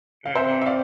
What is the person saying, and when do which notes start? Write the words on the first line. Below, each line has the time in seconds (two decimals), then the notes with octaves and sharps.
and, uh,
0.26 F5
0.35 C4 C5 E5
0.61 E5
0.66 D5 F5